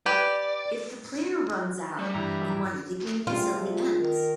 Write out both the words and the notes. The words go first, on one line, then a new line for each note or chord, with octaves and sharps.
If the player runs out of money, the game instantly ends.
G4 B4 D5 G#5
G3
G2 E3 A#5
C3 G3 F4 G#4
D#3 A#4